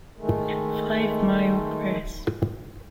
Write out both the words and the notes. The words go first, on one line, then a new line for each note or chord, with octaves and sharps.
Five Mile Press.
D#3 G#3 A3